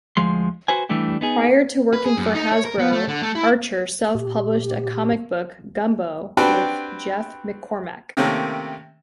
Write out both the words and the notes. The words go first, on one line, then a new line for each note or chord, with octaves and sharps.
Prior to working for Hasbro, Archer self-published a comic book, "Gumbo", with Jeff McCormack.
D2 F3 G#3 C6
F#4 B4 C5 G#5
E3 G3 A3 D4 G4
B3 D#4 G#4
B4
G#4
F#2
D#4
C#5
A#4
B3
A3
D3
A3
E4
A#2 G4
C4 D4 F#4 G4 B4 G5
C3 D#3 A3 A#3 C4 C#4